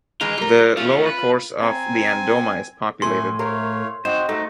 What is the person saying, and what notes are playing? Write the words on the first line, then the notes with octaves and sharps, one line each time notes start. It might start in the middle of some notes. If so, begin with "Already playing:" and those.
The lower course of the Andoma is populated.
D#3 E3 G#3 F4
G3 A#4
A3 C#4 F4
B4
C4 G#5 A#5
A2 A3 G#5 C6
A3 A#4 C#5 F5
C4 D#4 F#4 C5
A3 D#4 F#4